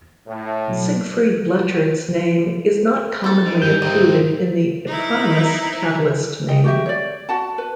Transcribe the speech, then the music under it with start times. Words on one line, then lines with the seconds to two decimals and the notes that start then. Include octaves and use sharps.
Siegfried Blechert's name is not commonly included in the eponymous catalyst name.
0.27 A2
0.68 B2 F#3
3.24 C4 A4
3.46 D#3
3.62 G#2 G3 E4 B4 G6
3.82 A2 C4 D#4
4.87 D#4 E4
6.48 D#5 G5
6.64 F#4 G4 E5
6.86 C#5 D5
7.29 F#4 F#5 A5
7.58 B4